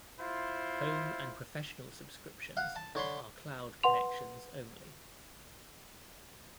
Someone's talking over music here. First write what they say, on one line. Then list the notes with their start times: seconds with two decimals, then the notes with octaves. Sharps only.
Home and Professional subscriptions are cloud connections only.
0.20 E4 F4 C5
2.57 F5 F#5
2.76 A5
2.95 D3 C#5 B5 C6
3.83 B4 F#5 C6 F7